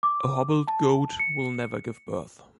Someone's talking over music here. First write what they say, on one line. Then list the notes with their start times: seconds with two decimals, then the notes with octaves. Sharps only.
A hobbled goat will never give birth.
0.03 D6
0.68 A5
1.20 C#7